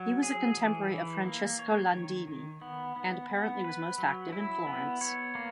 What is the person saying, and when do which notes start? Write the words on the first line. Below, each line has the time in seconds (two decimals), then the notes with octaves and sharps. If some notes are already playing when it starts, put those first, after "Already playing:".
He was a contemporary of Francesco Landini, and apparently was most active in Florence.
Already playing: F#3
0.23 G#4
0.57 E3
0.91 E3
1.25 A#3
1.59 C#5
1.93 D#3
2.28 D#3
2.62 B3
2.96 B3
3.30 B3
3.64 B4
3.98 F#3
4.33 E4
4.67 B3
5.01 C#5
5.35 A#3